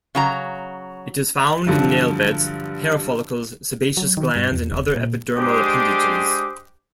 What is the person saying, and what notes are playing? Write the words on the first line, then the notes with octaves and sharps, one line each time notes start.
It is found in nail beds, hair follicles, sebaceous glands, and other epidermal appendages.
C#3 F#3 A#5
G2 D3 F3 F#3
F#3
D#3
G2
E2
D#1
A#2
G#3 D4 G4 C5 D6 D#6